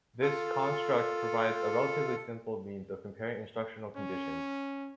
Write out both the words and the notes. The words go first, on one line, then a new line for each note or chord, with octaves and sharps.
This construct provides a relatively simple means of comparing instructional conditions.
F4 A4
C#4